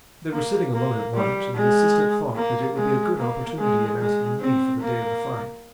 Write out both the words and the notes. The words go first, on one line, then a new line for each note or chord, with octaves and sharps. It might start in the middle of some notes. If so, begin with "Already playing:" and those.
They were sitting alone at lunch, and the assistant thought that it would be a good opportunity of asking leave for the day of the fight.
A#3
A#3
G3
G#3
A#3
G#3
A#3
G#3
G#3
C4
A#3